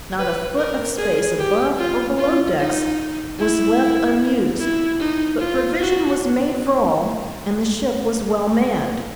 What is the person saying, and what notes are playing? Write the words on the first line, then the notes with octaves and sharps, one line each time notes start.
Not a foot of space above or below decks was left unused, but provision was made for all, and the ship was well manned.
B4
A#4
G#4
G4
F4
F4
D#4
E4
E4
D#4
F4
F#4